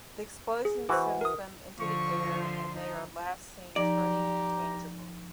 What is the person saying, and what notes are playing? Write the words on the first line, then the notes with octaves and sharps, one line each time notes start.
The explosion sends them into the air and they are last seen turning intangible.
G#4
E3 F#4 C5 D6
A#4 D#6
D3 F3 C#6
C6
D#4
F3 D#4 G4 D5 A#5